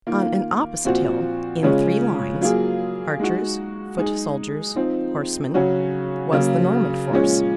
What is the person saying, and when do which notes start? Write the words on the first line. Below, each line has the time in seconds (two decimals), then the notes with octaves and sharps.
On an opposite hill, in three lines, archers, foot-soldiers, horsemen, was the Norman force.
0.07 D#3 A#3 F4
0.85 A#2 F3 C4 F#4
1.63 C#3 F3 G#3 C#4
2.41 F#3 A#3 F4 G#4
3.20 G#3 D#4 F#4
3.98 G#3 D#4 G#4
4.76 F3 C4 D#4
5.54 C#3 F#3 C#4 F#4
6.33 C#3 F#3 A#3
7.11 A#2 F3 G#3 C#4